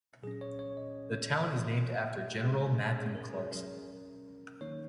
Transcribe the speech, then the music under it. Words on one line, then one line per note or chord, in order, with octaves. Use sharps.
The town is named after General Matthew Clarkson.
A#2 F#3 C#4 G#4
C#5
C#5
D#5
F#3 D#4 A#4
A#2 G#3 C#4 G#4
G#4
A#4
G#4
F#3 C#4 A#4
D#3 A#3 D#4 C#5